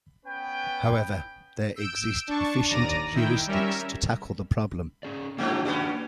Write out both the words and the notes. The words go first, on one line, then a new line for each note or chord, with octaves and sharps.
However, there exist efficient heuristics to tackle the problem.
B3 C#4 B4 G5
E6 G6 D7
D4 A5 C#6
D#2 D5 A#5 A#6 D#7
D#3 E4 G5
G3 C#4 A#4 E5
C#4 G#4 D5
G2 F3 F#3 A#3 D4 F#4
G3 B3 C#4